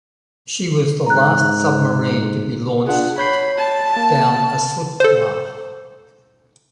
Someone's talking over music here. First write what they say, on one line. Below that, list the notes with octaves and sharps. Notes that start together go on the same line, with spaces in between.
She was the last submarine to be launched down a slipwa.
G#2 A#5 F#6
D4 F4 G#4 F#5
C#5 B5 G6 C7
A5
A#3
A4 C5